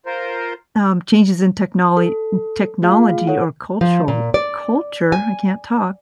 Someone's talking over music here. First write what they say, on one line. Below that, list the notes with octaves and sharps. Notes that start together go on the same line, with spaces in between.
um, changes in technol technology or cultural culture- I can't talk-
F4 A#4 C5
A4
A3 F4 G#4 F5
A4 C#5 F#5
F3
A#2
D5
G#5